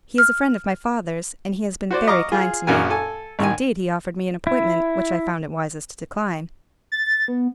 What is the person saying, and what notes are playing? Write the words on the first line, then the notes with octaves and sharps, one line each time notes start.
He is a friend of my father's, and he has been very kind to me--indeed, he offered me an appointment, which I found it wisest to decline.
F6
F#4 C5 D5
D#5 A#5 C#6 D6 F6
F4 G#4
A#1 F#2 F#4 A#4 G#5
A4 G#5
A1 D#3 G#5
E4
A6
B3